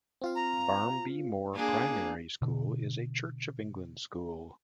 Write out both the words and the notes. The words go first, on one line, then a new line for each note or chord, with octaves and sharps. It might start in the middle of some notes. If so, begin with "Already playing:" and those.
Barmby Moor Primary School is a Church of England school.
C4 F4 F5
A#5
A#3 D4 G#4
B2 D3